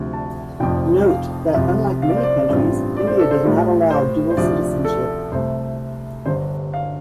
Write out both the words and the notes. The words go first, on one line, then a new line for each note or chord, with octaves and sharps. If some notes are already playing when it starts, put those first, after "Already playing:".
Note that unlike many countries, India does not allow dual citizenship.
Already playing: D2 C3 F3
A5
F1 F2 F3 D4 G5
F5
C2 C3 F3 C4 F4
F5
D5
C5
D5
A1 G2 G3 C4 F4
D5
C5
A4
C5
A2 G3 F4
C5
C5
D2 C3 F3 D4 F4 D5
A4
C2 C3 A3 C5
G1 G2 D3 C5
F5